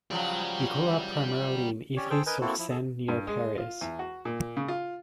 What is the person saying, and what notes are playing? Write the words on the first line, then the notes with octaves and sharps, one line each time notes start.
He grew up primarily in Ivry-sur-Seine near Paris.
C#3 F3 F#3 G4 D5
C#4 G4 C#5 D5
G#4 A4 C5 G5
A#4 B4 D#5 G#5 G6
A#3 C4 E4 F#4 A4
F3 E4
G#4 A4
G2
G#3
F4
E2
F#4
A#2
C#3
F4